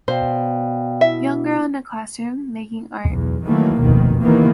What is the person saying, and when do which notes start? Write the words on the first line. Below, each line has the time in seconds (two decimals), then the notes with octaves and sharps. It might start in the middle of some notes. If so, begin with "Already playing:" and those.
Young girl in a classroom, making art.
0.08 B2 C5 D5 F5 G5
1.01 B3 E4 E5
3.07 B1 E2
3.43 D#3 E3 F#3 A3 A#3
3.79 F1 D2 B2 D#3
4.22 C3 D#3 E3 A#3 B3